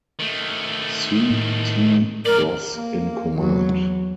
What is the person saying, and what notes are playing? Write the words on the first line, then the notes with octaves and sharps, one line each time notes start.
C. T. Doss in command.
D#3 A3
A2
F2 A#4 D5
A#3
E2 F#3